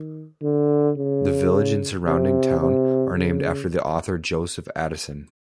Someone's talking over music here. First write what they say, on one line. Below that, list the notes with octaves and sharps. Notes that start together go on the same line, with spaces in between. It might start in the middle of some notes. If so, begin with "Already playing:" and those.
The village and the surrounding town are named after the author Joseph Addison.
Already playing: D#3
D3
C#3
C3
C3
C#3